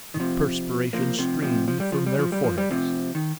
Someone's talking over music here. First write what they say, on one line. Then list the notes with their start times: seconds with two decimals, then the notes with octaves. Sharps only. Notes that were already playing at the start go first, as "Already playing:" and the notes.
The perspiration streamed from their foreheads.
0.14 D#3
0.20 C3 F3
0.93 F3 A#3
1.19 C3 F3
1.42 C3 F3
1.68 F3
1.80 G3
1.92 F3
2.06 G3
2.19 F3
2.32 G3
2.44 F3
2.58 G3
2.71 C3 F3
3.15 D#3